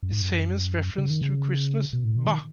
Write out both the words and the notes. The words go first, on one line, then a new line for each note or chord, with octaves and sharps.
His famous reference to Christmas, Bah!
F#2
G#2
F#2
C#3
D#3
C#3
B2
A2
B2
D#3